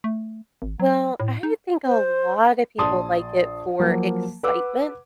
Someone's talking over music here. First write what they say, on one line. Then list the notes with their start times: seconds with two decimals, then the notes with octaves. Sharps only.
Well, I think a lot of people like it for excitement
0.04 A3
0.62 G#1
0.80 F#3
1.20 A2
1.43 D#4
1.86 C5
2.78 A#1 A5 C6 D#6
3.80 F3 F#3 A#3
4.43 B4 F#5 D6 E6